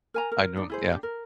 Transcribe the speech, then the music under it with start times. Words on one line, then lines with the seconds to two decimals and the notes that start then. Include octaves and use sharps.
I do, yeah.
0.14 A#4 G#5 A#5
0.32 A#4
0.56 D4 D#4
0.70 E4 G#4 C5
0.90 D4 F4 G4
1.03 A#4